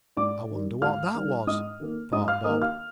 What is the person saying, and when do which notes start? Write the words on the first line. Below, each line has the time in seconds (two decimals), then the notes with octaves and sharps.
"I wonder what that was?" thought Bob.
0.17 G#2 D5 D6
0.50 D#3 G3
0.82 G#2 F5 F6
1.15 D#3 G3
1.47 G#2 D#5 D#6
1.80 D#3 A#3
2.12 G#2 D#5 D#6
2.28 F5 F6
2.44 A#3 D#5 D#6
2.48 D#3
2.61 F5 F6